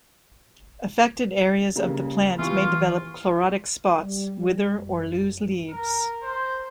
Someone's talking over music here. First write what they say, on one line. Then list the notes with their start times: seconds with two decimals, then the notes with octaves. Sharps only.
Affected areas of the plant may develop chlorotic spots, whither, or lose leaves.
1.76 C#3 G3 A#3
2.39 E3 F4 G4 C#6
3.99 G3
4.69 F#2
5.70 A#4
6.22 C5